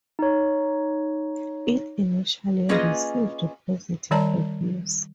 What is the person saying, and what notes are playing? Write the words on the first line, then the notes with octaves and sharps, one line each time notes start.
It initially received positive reviews.
D#4 C#5
A#3 C#4 F4 G#4 B4 D#5
D#3 G3 C#5 D5 A5 A#5